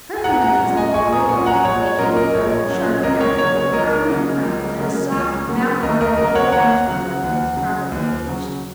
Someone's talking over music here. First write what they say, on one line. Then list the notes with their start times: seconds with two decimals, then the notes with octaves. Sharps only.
Herkimer leads the whole breed by being flaky, brittle, sharp and nutty, with a crumb that will crumble, and a soft, mouth-watering pale orange color when it is properly aged.
0.16 G#5
0.24 A#1 F#5 A#5
0.42 F#5 A#5
0.60 A#2 F#3 C#4
0.77 D#5 G#5
0.94 A#1 G#5 C#6
1.12 A#5 D#6
1.29 A#2 F#3 C#4 G#5 C#6
1.46 F#5 A#5
1.64 A#1 C#5
1.99 A#2 F#3 C#4 A#4 D#5
2.17 A#4 D#5
2.35 A#1 C#5
2.69 A#2 F#3 C#4
3.03 C#2 A#4 D#5
3.21 C#5
3.38 C#3 F#3 A#3 C#4 C#5
3.57 C#5
3.73 C#2 A#4 D#5
4.08 C#3 F#3 A#3 C#4
4.43 C#2
4.78 C#3 F#3 A#3 C#4
5.12 C#2
5.48 C#3 F#3 A#3 C#4
5.82 D#2 A#4 D#5
6.01 A#4 D#5
6.17 C#3 F#3 A#4 D#5
6.35 C#5 F#5
6.52 D#2 F#5 A#5
6.87 C#3 F#3
7.23 D#2
7.56 C#3 F#3
7.92 D#2
8.26 C#3 F#3